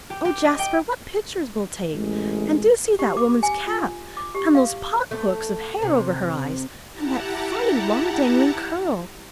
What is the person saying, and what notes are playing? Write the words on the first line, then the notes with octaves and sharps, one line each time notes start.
"Oh, Jasper, what pictures we'll take--and do see that woman's cap! and those pot-hooks of hair over her eyes, and that funny, long dangling curl!"
G4
G4
D#5
G5
A1 G#3
G4
D6
G#5
F4
D6
G4
F5
A3
C3
E4 G4 F#5 A5 A#5